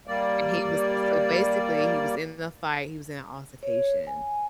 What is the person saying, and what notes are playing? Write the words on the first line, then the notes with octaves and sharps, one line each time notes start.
And he was so, basically he was in the fight he was in an altercation,
G3 A#3 D5
C#5
G#5